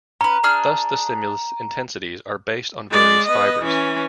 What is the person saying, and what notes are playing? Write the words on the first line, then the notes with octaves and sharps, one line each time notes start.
Thus, the stimulus intensities are based on various fibers.
C#4 B4 A#5
D4 G#4 F6
G#3 D5
B3 D#5
E3 C#4